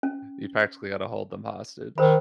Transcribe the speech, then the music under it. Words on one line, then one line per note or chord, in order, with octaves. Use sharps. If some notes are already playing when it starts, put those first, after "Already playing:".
You practically had to hold them hostage.
C#4
D#3 A#4 C5 B5